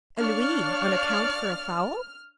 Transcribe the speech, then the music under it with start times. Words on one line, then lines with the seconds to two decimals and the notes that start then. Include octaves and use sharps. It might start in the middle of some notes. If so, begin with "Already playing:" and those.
"A louis on account for a fowl?"
0.18 D4 C#5 D5 F5 F6